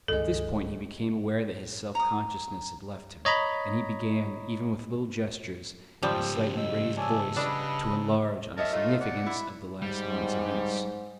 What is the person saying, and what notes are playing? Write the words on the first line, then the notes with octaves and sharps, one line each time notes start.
At this point he became aware that his self-consciousness had left him, and he began, even with little gestures, and a slightly raised voice, to enlarge on the significance of the last month's events.
C#2 G2 D#3 G#3 A4
A#5 D#6
C#5 D#5 A#5 B5
G#2 C#3 F3 G3 E6
D#5 E6
C#4 D5 G#5 A5 E6
C#3 G3 D4 B4 D#5
A#4 C#5 D#5 E5 A5
A3 D#4 F4
D5 F#5
E4
G#2 G3